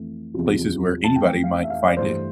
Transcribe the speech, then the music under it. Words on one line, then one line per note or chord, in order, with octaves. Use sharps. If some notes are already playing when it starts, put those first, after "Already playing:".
places where anybody might find it,
Already playing: F2 E3 A3
E2 C3 F3
A5
F2 E3 A3 G5
F5
E5
F5
D5
G2 E3 A3 C5